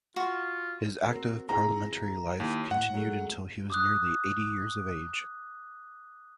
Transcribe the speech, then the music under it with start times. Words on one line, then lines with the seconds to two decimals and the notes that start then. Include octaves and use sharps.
His active parliamentary life continued until he was nearly eighty years of age.
0.16 F4 F#4
1.10 C4 F#4 A#4
1.49 C4 E4 G#4 A#5
2.40 D#2 E4
2.71 A2 F#5
2.94 F#3 G#3 A3
3.70 D6 D#6 F#6